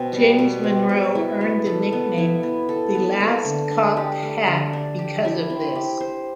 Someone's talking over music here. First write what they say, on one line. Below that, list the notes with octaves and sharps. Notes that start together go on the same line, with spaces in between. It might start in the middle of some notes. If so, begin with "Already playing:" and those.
James Monroe earned the nickname "The Last Cocked Hat" because of this.
Already playing: B2 C4
G3
B2
C4
B2
E4
B3
A4
B3
E4
B3
A4
B3
A3
D3
D4
G4
A3
D3
D4
G4
E4
C4
G4
C5